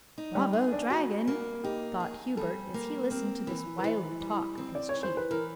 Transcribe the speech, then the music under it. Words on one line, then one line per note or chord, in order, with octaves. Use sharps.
"Bravo, Dragon!" thought Hubert, as he listened to this wily talk of his chief.
D#4
G3
G#4
D4
G3 F#4
A#3
D#4 G4
G#4
G3 A4
A#3
C4 A#4
E3
B4
E3 C5
G3
C4
D5
E3 C#5
C5
B4
E3 A#4